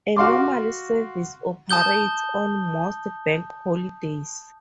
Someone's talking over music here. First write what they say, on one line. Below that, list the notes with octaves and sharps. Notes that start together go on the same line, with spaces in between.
A normal service operates on most Bank holidays.
F#4 F5 C6 D6
A5 D#6 G6 G7